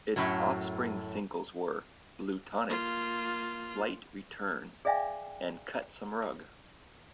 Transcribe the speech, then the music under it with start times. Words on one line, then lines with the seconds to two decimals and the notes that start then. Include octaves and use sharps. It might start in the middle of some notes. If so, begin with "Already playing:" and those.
Its offspring singles were "Bluetonic", "Slight Return" and "Cut Some Rug".
0.16 F#2 A2 F#3
2.68 A#3 F4
4.85 G#4 D5 E5 F5 G5 G#5